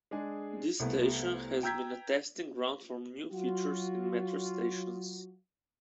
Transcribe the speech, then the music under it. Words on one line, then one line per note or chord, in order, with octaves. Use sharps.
This station has been a testing ground for new features in Metro stations.
G#3 D4 G#4
C2 A3 B3
G5 A#5 E6 G6 G#6 B6
F#3 F4 F#4